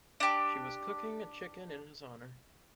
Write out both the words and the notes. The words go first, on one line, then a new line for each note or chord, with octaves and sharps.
She was cooking a chicken in his honour.
D4 G4